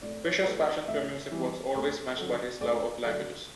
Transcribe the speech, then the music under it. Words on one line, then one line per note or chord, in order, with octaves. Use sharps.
Fischer's passion for music was always matched by his love of languages.
A2 D5
C#5
E3 A3 B4
D5
A2 E5
E3 G3
D2
D3 F#3
D2 D5
D3 F#3 A3 D5